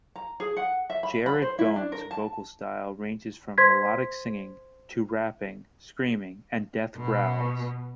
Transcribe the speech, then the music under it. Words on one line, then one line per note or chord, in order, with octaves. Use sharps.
Jared Gomes' vocal style ranges from melodic singing to rapping, screaming, and death growls.
A#5
G#4
F#5
E5
B5
B5
C5
E4
D4
A#4
A5
C5 C6 G#6 B6
B2